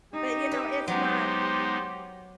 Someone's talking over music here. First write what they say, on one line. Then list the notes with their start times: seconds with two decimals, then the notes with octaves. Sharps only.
but, you know, it's not
0.13 D#4 G4
0.51 B4
0.88 F#3 G#3 B3 D#4 G4 C5